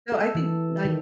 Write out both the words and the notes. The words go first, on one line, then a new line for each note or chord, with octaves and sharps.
So I think, night
A4
E3
D#3